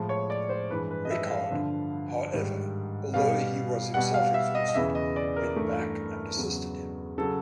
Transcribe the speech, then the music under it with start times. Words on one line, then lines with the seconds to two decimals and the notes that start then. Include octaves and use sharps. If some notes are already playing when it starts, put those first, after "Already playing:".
Rickard, however, although he was himself exhausted, went back and assisted him.
Already playing: A2 F3 G#3
0.09 C#5
0.30 D5
0.49 C5
0.70 G2 E3 G#3 B4
0.91 B4
1.05 D#5
1.11 E5
1.31 F5
1.51 G2 D3 F3
2.33 G#2 D#3 G3
3.14 B2 G3 F5
3.94 B2 G3 F#5
4.14 F5
4.34 E5
4.55 D#5
4.68 D#5
4.75 E2 C#3 E3 E5
4.95 D#5
5.16 D5
5.36 A#4
5.56 G2 E3 A3
6.37 E2 C#3 F#3
7.18 C#3 F#3 A4